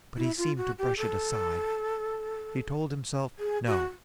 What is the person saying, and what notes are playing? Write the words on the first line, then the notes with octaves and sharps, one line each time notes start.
But he seemed to brush it aside. He told himself no.
E4
F4
F#4
G4
A4
G#4
F#4